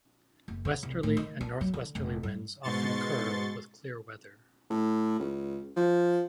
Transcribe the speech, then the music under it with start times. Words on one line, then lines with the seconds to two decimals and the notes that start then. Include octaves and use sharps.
Westerly and northwesterly winds often occur with clear weather.
0.48 F#1
0.65 C#3
0.83 C2
1.03 A2
1.17 D#3
1.41 D4
1.61 F#3
1.74 D3
1.95 F1
2.23 G2
2.63 G#2 B2 C6 C#6 A6
4.70 A2
5.19 C#2
5.76 F3